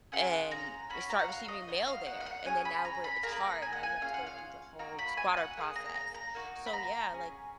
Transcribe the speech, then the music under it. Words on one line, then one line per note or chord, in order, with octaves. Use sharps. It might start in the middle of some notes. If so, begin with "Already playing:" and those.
and start receiving mail there, and then now we're it's hard. Now you have to go through the whole squatter process. So, yeah, like,
C#4 F4 G#4 F#5
A#5
C#4 F#4 B5
A#5
F#5
F5
D#5
B3 D#4 F#4 D#5
F5
F#5
F5
F#5
C#4 F4 G#4 G#5
B5
A#5
B5
A#3 F4 G#4 A#5
B5
A#5
G#5
F#5
G#5
C#4 F4 G#4 F5
F#5
F5
A#3 D#4 F#4 A#5
B5
G#5
F#5
A#3 F4 G#4
A#5
A#5
A#5
A#3 D#4 F#4
B5
A#5
C#4 G#4